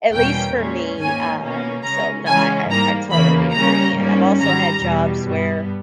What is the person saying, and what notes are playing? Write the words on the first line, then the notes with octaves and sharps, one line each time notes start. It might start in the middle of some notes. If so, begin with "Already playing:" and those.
at least for me. Um, so no, I I I totally agree, and I've also had jobs where
E2 B2 G3 A#3 C#4 G5
A#2 G#3 C#4
G#2 D#3 A#3 C#4 G#5
B2 A#3 C#4
C#3 G#3 C#4 A#5
C#3 E3 G#3 C#4 G#5
G#2 G3 A#3 A#5
E2 C#3 E3 A#3 B5
C#3 G3 A#3 C#4 A#5
G#2 G3 A#3 C#4
G#2 D#3 G3 A#5
E2 B2 G3
G2 G3 B3